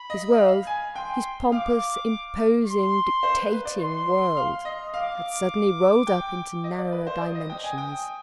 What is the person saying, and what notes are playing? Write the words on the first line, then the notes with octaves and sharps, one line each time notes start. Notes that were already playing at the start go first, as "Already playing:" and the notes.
His world, his pompous, imposing, dictating world, had suddenly rolled up into narrower dimensions.
Already playing: B5
D#5
F5
G#5
G5 C6
F5 D6
C6
C5
B4
B4
D5
C6
F5
D#5
F5 D6
G5
D#5
D5
B4
C5
D5 D#6
D#5
G5
G#5
G5